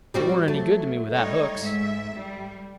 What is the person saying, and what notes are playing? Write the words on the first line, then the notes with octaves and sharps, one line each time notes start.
It warn't any good to me without hooks.
G3 C4 F#4
F#3 A3
G3 D#4 C#5
G#2 E5
G3